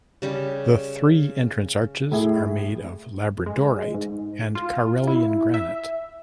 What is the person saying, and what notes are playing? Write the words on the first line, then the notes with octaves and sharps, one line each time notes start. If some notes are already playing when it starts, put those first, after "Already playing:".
The three entrance arches are made of labradorite and Karelian granite.
C#3 G3 G4
A2 E4 G#4
G#3
G#2
F4
E4
E5